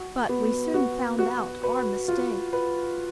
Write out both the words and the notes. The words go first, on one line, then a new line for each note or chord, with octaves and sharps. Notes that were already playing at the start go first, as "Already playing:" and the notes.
But we soon found out our mistake.
Already playing: F#4
B3
F#4
F#4
B4
F4
B4